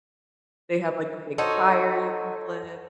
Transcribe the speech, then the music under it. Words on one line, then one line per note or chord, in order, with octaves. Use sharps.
They have, like, a big tire you can flip
D#4 F#4 A4 C5 C#5